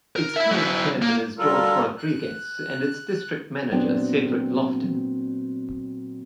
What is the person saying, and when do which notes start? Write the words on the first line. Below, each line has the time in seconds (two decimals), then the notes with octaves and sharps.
Its current chairman is George Rodriguez, and its district manager Cedric Loftin.
0.16 A#4
0.36 E4 E5
0.51 F#3 E4
1.02 A#3
1.38 D3 F#3 G3 F4 A4 A#4
1.98 F#6
3.71 A#2 F#3 B3 C4 D4 G5